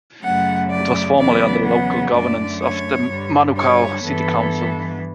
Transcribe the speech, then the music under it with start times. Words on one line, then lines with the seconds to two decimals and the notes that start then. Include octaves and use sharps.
It was formerly under the local governance of the Manukau City Council.
0.23 F#2 C#3 F#3 A3 F#5
0.70 D5
1.18 E2 C#3 F#3 B3 D5
1.66 F#5
2.13 F#2 D3 A3 D5
2.61 C#5
3.09 G2 D3 G3
3.56 C#5
4.04 G2 E3 B3 A4